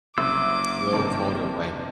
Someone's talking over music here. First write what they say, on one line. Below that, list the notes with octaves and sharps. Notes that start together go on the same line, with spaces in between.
Low quality of life.
F#1 C2 D6 E6
G2 C3 D#3